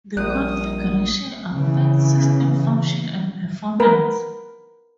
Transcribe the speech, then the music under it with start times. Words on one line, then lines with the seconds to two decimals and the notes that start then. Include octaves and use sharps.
The configuration affects system function and performance.
0.17 A#1 G3 D5 D#6 F#6 G6
1.55 C#3 E3
3.80 A#4 B4